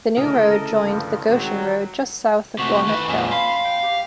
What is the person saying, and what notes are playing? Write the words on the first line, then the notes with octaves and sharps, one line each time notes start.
The new road joined the Goshen Road just south of Walnut Hill.
D2 C#3 E4 A4 A#4 D#5
G2 F3
D#3 F#3 G#3 C4
C3 A3 F#4
D#3 B4
F2 A#2 C#4
F5 B5 C6
G5
G4